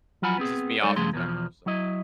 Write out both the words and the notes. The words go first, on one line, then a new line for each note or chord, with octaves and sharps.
pisses me off in general, so
F3 F#3 F4 F#5 G#5 B5
B3 C4 G#4
G3 G#3 D#4 A4 C#5 D5
G2 C#3 F3 A3 G#4 C6
E2 B2 F3
F#3 E4 D#5